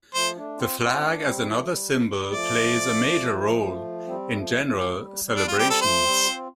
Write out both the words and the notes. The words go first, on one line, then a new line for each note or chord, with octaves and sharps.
The flag as another symbol plays a major role in general celebrations.
F3 A3 C5
A3 D4
C4 F4
C4 F4
A3 D4
A3
G3 C4
F3 A3
G3
F3
F3
G3
F3 A3 D5
G3 C4
F3 A3
F3 A3
G3
G3
D4
G3 C4 F4
G4
A4
F3 A3 C5
G3 C4
C4 F4